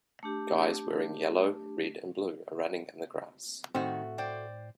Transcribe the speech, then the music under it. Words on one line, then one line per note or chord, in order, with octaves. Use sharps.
Guys wearing yellow, red, and blue are running in the grass.
A3 D4 G4
A2 D#3 G3 A3 C4 F#4
C5 D5 G5